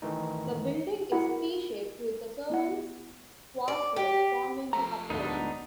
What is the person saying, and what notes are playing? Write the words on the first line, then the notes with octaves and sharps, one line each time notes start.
The building is "T" shaped with the servants quarters forming the upright.
D#3 E3 A3 D#4
E4 F#4 G#4 A#4 F#5 B5
B3 E4 F#5
D5
G4
F3 A3 A#5
D2 G#2 B3 D4 D#4